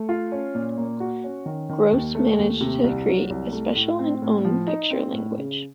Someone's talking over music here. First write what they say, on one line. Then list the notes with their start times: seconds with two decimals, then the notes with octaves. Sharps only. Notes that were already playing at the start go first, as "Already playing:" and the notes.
Gross managed to create a special and own picture language.
Already playing: A3
0.09 F4
0.32 C#4
0.55 A#2
0.78 A#3
1.00 F#4
1.24 C#4
1.46 D#3
1.69 D#3
1.92 D#2
2.15 A3
2.39 D#2
2.61 C3
2.84 C2
3.07 F#3
3.30 C2
3.53 A3
3.75 A2
3.99 C4
4.22 A2
4.45 F3
4.67 D#4
4.91 C4
5.13 A2
5.37 C#3